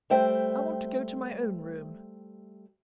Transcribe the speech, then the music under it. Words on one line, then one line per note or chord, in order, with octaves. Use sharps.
"I want to go to my own room."
G3 A3 C5 E5 G5